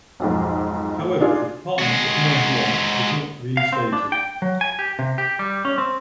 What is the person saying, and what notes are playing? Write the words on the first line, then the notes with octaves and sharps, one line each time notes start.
However, the department of Mont-Blanc was not reinstated.
B1 F2 G#2
A2
D4 D#4 F4 G#4 D5
G#3 F#4
F5
C4
D4
G5
F#3
G#5
G4
C3
G4
G3
C#4
C4